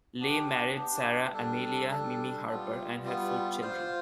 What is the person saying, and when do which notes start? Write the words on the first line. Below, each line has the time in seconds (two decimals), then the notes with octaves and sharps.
Lay married Sarah Amelia "Mimi" Harper and had four children.
0.19 B3 D4 G4
0.75 B3 D4 G4
1.32 G3 D4 A4
1.89 G3 D4 A4
2.48 G3 B3 F4
3.04 G3 B3 F4
3.61 F4 C5 F5